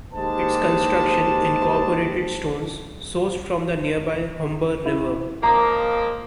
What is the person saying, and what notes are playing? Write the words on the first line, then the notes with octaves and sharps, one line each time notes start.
Its construction incorporated stones sourced from the nearby Humber River.
D#2 G#3 G4 C5 A5
E4
F3 G#3 A#3 A#5